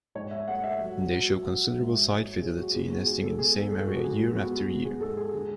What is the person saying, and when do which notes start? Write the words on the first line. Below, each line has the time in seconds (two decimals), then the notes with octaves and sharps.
They show considerable site fidelity nesting in the same area year after year.
0.15 G#2 C#5
0.31 E5
0.48 A3 F#5
0.64 E5
0.80 F#3
1.13 F#3
1.45 F#3
1.77 G#2
2.10 G#2 C#5
2.42 F#3 G#4
2.58 F#4
2.74 B3 G#4
2.90 F#4
3.07 G#2 G#4
3.23 A4
3.39 B3 G#4
3.55 A4
3.71 G#2 A4
3.87 F#4
4.04 G#2 G#4
4.36 B3 F#4
4.68 B3
4.85 G#4
5.01 G#2 A4
5.17 G#4
5.33 D3 G#4